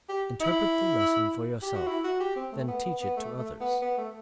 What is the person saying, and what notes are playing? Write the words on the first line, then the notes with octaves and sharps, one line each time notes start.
Interpret the lesson for yourself, then teach it to others.
G4
E4
G4
F#4
E4
F#4
G4
C4
A3
B3
B3
B3
A3
A3
B3
B3
A3